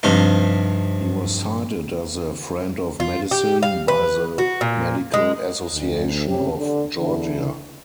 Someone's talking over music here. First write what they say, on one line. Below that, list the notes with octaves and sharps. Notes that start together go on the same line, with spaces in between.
He was cited as a "Friend of Medicine" by the Medical Association of Georgia.
G2 C3 F3 D#4
F4
G4
F5
B4
F#4
A#2
G#3
D2
A2 C3 C4 C#4 G4
D3
E2 D3 E4